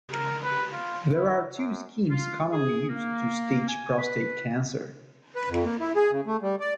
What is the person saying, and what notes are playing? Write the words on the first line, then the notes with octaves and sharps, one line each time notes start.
There are two schemes commonly used to stage prostate cancer.
A#4
B4
F4
E4
F#2
F4
G#4
A#3
G#5
B4
B4
F2
A#3
E4
G#4
C#3
A3
G3
D5